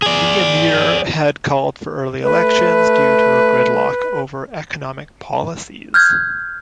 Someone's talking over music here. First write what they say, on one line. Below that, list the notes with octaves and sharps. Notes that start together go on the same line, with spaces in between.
The Emir had called for early elections due to a gridlock over economic policies.
G#4 D5
A3 B4
F6 G6 G#6